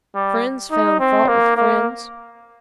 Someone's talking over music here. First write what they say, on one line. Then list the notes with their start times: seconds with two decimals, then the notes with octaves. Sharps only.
Friends found fault with friends.
0.15 G3
0.72 D#4
1.00 C4
1.28 A#3
1.57 A#3